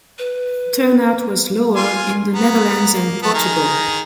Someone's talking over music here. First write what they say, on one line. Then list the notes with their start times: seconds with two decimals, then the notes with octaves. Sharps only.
Turnout was lower in the Netherlands and Portugal.
0.18 B4
1.76 F4 G#5 C6
2.34 B3 A#5
2.93 A#3
3.23 B3 A5
3.34 D#3 G#4 A#5